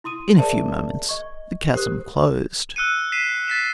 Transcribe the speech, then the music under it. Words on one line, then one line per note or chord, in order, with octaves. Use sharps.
In a few moments the chasm closed.
E4 C6 D#6 D#7
G#4 A#4 C5 D5 E5 A5
D#5 C#6
G4 A#4 C5 D#6 F#6
E6 F#6 C#7 D#7
B6 C7 D#7 E7
A6 B6 E7